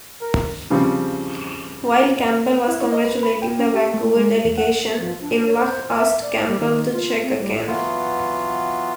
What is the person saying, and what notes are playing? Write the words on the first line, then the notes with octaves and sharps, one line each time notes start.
While Campbell was congratulating the Vancouver delegation, Imlach asked Campbell to check again.
A#4
C#3 F3 G3 C4
E4
C#5
D#5
B4
B5
G5
C#4
G4
A3
G#3
E2
F#5
F3
D4
C#5
C5
E5
D5
G3
D#3
F4
C4
G3
E3 F#3 B3 F4